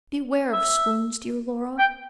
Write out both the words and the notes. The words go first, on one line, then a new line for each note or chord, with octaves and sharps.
Beware of swoons Dear Laura....
E5
G5